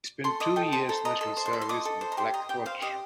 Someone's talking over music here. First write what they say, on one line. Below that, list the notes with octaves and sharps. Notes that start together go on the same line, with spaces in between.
He spent two years national service in the Black Watch.
A4 C6
D#5 D6
A4 G5
C5 A5
A4 A#5
D#5 A#5
A4 C6
C5
C6
A4
C6
D#5 D6
A4
C5
A#5
G4 C6
D#5 A#5
G4 G5
C5 F5
G4 D#5